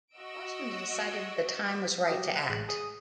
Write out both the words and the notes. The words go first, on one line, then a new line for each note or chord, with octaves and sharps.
Washington decided the time was right to act.
F#4 D#5 F#5 C#6 E6 D7
F#3 G4 D#5
F#5
A1 G#3 F#6
G#4 D#6